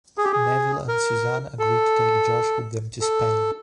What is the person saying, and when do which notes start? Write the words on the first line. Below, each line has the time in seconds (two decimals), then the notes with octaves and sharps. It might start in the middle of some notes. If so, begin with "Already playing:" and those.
Neville and Suzanne agree to take Josh with them to Spain.
0.18 G#4
0.25 G4
0.32 G#4
0.88 A#4
1.59 A4
3.01 A4